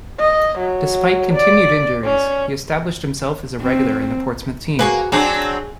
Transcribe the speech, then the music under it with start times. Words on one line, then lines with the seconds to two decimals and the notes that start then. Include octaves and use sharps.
Despite continued injuries, he established himself as a regular in the Portsmouth team.
0.20 D#5
0.59 F#3
1.33 D5
2.04 C#4
3.62 C4
4.79 A#3 F#4 G#4 B4
5.12 F#3 C4 D4 G#4